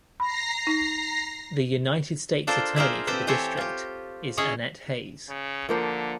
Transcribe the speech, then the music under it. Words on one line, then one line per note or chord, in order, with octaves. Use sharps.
The United States Attorney for the district is Annette Hayes.
A#5 B5 A#6 C7
D#4
D4 F4 A4 A#4 C5 D5
F4 G#4 A#4 C5 D5 E5
C4 G4 A4 B4 C5
E3 C4 G4 A4 C5 C#5
F4 G4
C#4 E4 G#4 C#5 D#5
C#3
D3 F3 A#3 C5